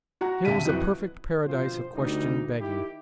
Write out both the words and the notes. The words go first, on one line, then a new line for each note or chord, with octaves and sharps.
Here was a perfect paradise of question begging.
F#4 F#5 A#5
D2 C3 F5 A5 B6 D#7
F2 E3 F#3 F#4 F#6
G1 B2 F3 C4 F4 C5
D2 G3 D#4
D#3 E4 G4